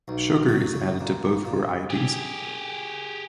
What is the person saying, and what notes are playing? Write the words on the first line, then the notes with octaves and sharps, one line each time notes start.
Sugar is added to both varieties.
B1
F#3
C#3
A#2
A#2
G4 G#4